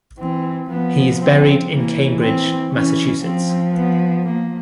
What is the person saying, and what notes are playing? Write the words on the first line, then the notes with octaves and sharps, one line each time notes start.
He is buried in Cambridge, Massachusetts.
E3 C4
F3 B3
C4
E3 A#3
C4
E3 C#4
F3 C4
B3
A#3